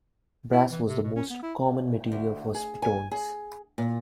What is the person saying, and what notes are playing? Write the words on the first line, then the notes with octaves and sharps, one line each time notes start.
Brass was the most common material for spitoons.
E4
E3
C3
B2
C#4
B3
E4
D2
G#4
G#5
G#4
A#2